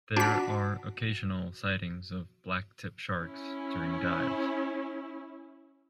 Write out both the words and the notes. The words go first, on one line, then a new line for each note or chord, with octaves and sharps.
There are occasional sightings of black tip sharks during dives.
D4 F#4 B6
C#4 E4